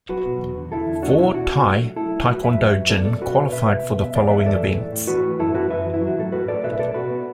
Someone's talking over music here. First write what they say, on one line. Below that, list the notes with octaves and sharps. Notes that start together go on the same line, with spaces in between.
Four Thai taekwondo jin qualified for the following events.
F#3 F#4 B4
B2
E2
D3
E2 E4 A4
E2
A3 D4 F#4
B2 E4
B2 D4 F#4
B2
A3
F#3
A3 E4 A4
A3
F#3 F#4 B4
F#2 B4 E5
F#3
F#2
B3 A4 D5
B2 A4 D5
B2 F#4 B4
B2
B2 B4 E5
B2
B2
B3 E5
E2 A4 D5
E2 B4 E5
E2 A4 D5
E2
A2
A2
E3 F#4 B4
A2
F#2 E4 A4
F#2 F#4 B4
F#2 B4 E5
E3
E4
F#3
F#4
A2 A4
A2 F#4 B4
A2 A4 D5
B2 B4 E5
B2 A4 D5
B2 F#4 B4
B3